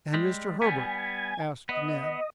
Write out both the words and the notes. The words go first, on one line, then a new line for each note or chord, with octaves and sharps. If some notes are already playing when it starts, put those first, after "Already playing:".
"And Mr. Herbert?" asked Neb.
G3 G#3
G3 B3 G#5
B3 D#5